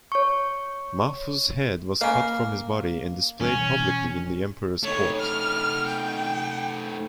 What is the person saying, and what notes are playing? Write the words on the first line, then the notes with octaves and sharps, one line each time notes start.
Mahfuz's head was cut from his body and displayed publicly in the Emperor's court.
C#5 C#6
C#3 A#3 F5
B2 E3 G3 C#4
A3 D#4 C#5
F6
G5